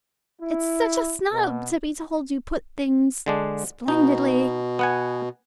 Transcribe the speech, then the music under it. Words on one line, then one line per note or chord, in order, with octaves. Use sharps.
It's such a snub to be told you put things splendidly.
E4
B2
D3 G#3 D4
B2 D#4
B3 F#5 G#5